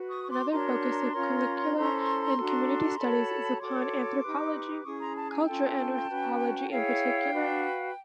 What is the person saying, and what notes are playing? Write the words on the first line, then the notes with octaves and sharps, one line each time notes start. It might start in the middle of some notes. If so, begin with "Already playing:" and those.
Another focus of curricula in community studies is upon anthropology, cultural anthropology in particular.
Already playing: F#4 B4
C#6 D#6
C#6
C6 D6
D4 F#4 A#4 C#5 A#5 C6
C#4 F4 A#4 C#5
C#4 E4 A4 C5
D4 F#4 A4
F#4 A4 C#5 A5 B5
F#4 A4 C#5 C6 D6
D#4 G4 B4
C#4 E4 G#4 C#6 D#6
A#5 C6
A5 B5
G#5 A#5
C#4 F4 A4 G5 A5
C#4 F#4 B4
E4 G#4 C#5 F5 G5
D4 F#4 B4